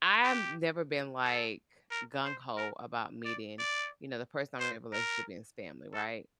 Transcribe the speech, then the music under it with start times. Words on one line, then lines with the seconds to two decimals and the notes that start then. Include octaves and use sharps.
I've never been, like, gung-ho about meeting, you know, the person I'm in a relationship in's family, right?
0.23 G4
1.24 A4
1.91 A#4
2.25 C5
2.58 A#4
3.25 D5
3.59 D5
4.60 C5
4.93 A#4
5.94 A4